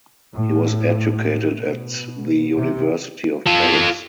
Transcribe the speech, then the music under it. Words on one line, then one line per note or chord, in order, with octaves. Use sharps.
He was educated at the University of Paris.
A2
B2
C3
F4 A4